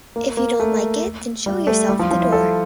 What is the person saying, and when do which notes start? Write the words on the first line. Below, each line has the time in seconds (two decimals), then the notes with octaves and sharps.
If you don't like it, then show yourself the door.
0.16 A#3
0.37 A#3
0.60 A3
1.46 G3
1.67 A3
1.89 G3
1.99 F3
2.11 F3
2.21 E4
2.32 A4